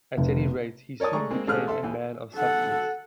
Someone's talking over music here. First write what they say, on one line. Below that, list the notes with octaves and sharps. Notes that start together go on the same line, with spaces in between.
At any rate, he soon became a man of substance.
F1
A#4 C#5 D5 A5 D#6
G#3 A3 D5 A#5 C#6
G#3 A#3 C4
A1 A3 G4 G#4 F6 F#6
A4 E5 C6
D#2 E3
A4 F#5